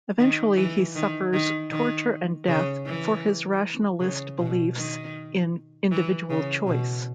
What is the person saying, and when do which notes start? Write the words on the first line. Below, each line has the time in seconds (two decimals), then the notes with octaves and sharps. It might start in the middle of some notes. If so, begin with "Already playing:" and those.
Eventually he suffers torture and death for his rationalist beliefs in individual choice.
0.18 D#3
0.57 E3
0.95 D#3
1.33 D#3
1.71 D#3
2.48 C#3
2.86 E3
4.00 C#3
4.39 B2
4.76 D#3
5.91 E3
6.30 C#3
6.67 B2